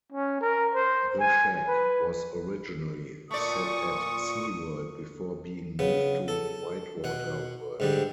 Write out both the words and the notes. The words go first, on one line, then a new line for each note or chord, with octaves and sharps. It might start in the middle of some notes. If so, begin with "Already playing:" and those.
"The Shak" was originally set at Sea World before being moved to WhiteWater World.
C#4
A#4
C5
G#5
B4
A#2 A3 D5 C#6 D#6
C#3 B3
A4
B2 F#5
G#2 D3 G3